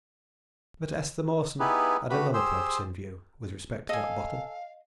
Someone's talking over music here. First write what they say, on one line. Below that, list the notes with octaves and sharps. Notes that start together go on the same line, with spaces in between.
But Esther Mawson had another purpose in view, with respect to that bottle.
B3 D#4 E4 G4 G#4 B4
A3 F#4 G4 B4 B5
G4 G#4 C5 C6 E6
A4 D#5 F5 G#5